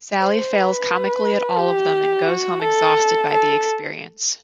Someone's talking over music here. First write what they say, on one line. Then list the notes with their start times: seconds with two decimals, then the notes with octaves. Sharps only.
Sally fails comically at all of them and goes home exhausted by the experience.
0.19 C5
0.54 B4
1.58 G4
2.28 F#4
2.62 A4
3.32 A4